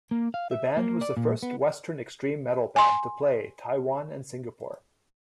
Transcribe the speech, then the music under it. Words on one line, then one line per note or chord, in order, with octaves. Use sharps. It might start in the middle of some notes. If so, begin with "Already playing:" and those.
The band was the first Western extreme metal band to play Taiwan and Singapore.
A#3
F5
E5
A#3
D5
A#2
B3
G#5 C6